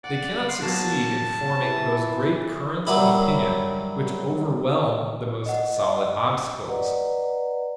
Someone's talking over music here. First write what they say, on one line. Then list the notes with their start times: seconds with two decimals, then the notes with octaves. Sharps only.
They cannot succeed in forming those great currents of opinion which overwhelm the most solid obstacles.
0.04 D5 F#5
0.49 C6
0.62 B2 F#3 A#3 A5
1.57 E3
2.87 F#2 F#3 G3 E4
5.46 D#5 F#5
6.64 B4 D5 D#5 F#5 A#5